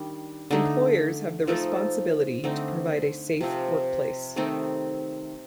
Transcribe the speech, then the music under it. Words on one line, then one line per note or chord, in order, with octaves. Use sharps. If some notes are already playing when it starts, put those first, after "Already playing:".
Employers have the responsibility to provide a safe workplace.
Already playing: D#3 G3 D4
D3 A3 D#4
F3 A3 D#4 A4
D3 A3 C4 D#4
C3 F3 C4
D#3 A3 C4 D#4